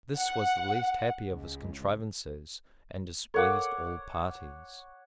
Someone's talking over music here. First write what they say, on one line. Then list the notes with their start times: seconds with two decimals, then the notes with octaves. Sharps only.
This was the least happy of his contrivances, and displeased all parties.
0.17 F#5
1.31 C#2
3.34 A4 A#4 C#5 F5 F#5 D6